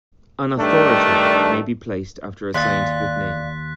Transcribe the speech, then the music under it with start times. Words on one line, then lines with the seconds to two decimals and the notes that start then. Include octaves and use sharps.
An "authority" may be placed after a scientific name.
0.58 G2 D#3 A3 D4
2.54 D#2 D5 F5 C6 F#6 A6 B6